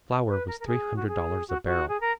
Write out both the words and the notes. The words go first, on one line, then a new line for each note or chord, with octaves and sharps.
Flour was three hundred dollars a barrel.
B4
A#4
A#4
G#4
F#4
G#4
F#4
F#4
G#4
A#4